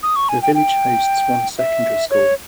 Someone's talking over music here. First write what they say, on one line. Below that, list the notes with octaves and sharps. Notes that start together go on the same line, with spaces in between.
The village hosts one secondary school.
D#6
C#6
G#5
G5
G5
E5
C#5